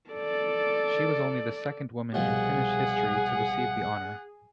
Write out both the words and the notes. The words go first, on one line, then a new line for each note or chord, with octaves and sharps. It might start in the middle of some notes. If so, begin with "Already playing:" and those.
She was only the second woman in Finnish history to receive the honour.
A4 D5
C2 B2 F3 G#4 F#5